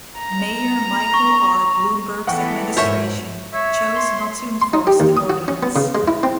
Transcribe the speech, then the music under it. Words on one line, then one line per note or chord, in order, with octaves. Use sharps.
Mayor Michael R. Bloomberg's administration chose not to enforce the ordinance.
A#5
C#6
E3 B3 A4 F#5 G5 C#6
G#2 A#4 C#5 E5 G6
C#5 E5
C6
C6
D#4
G4
D#2
D#6
F#4
C#4
B3
C#3
G#3
E4
C4